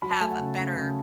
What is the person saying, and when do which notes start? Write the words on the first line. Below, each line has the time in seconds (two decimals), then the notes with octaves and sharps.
have a better
0.02 F#3 B5
0.11 A5
0.20 A3 G#5
0.31 F#5
0.39 C#3
0.57 C#3
0.76 C#3